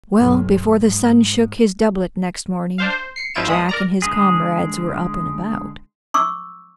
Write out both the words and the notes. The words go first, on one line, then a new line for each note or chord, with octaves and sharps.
Well, before the sun shook his doublet next morning, Jack and his comrades were up and about.
B1 G2
G#2
D4 C5 F5
C5
C7 C#7
G#1 F3 E4 F4 D7 E7
E2 G#3 B5 D#6
A#4 D5 A#5
D3 G#3 G#4
C#6 D6 E6